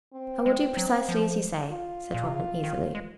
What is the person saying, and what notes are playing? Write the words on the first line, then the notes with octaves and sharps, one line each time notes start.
"I will do precisely as you say," said Robin easily.
C4
G#3
F#3
F3
F4
A#2
C3
C#3
D#3
G#3